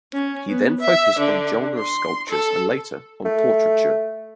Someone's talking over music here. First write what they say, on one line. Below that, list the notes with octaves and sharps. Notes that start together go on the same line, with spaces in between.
He then focused on genre sculptures and later on portraiture.
C#4
B3
E5
D3
C6
A4
A3